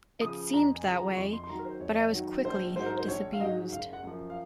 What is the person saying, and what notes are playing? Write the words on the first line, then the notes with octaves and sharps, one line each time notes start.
It seemed that way, but I was quickly disabused.
C#3 F3 D#6
F2 A#5
G#5
C#3 F3
A#5
F2 C#6
C6
C6
D#3 F#3 A#5
A#4
C5
F2 C#5
D#5
C#5
D#3 F#3
A#1 C5
G#2 F#3 C5
A#4
C5
A#1 C#5
F5
G#2 F#3 D#5
F#1 F5
F#5
F#2 F3
F5